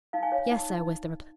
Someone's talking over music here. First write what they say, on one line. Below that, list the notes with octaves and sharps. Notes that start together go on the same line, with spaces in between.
"Yes, sir," was the reply.
D#4 F5
G#5
C#5 F5
D#4
D#4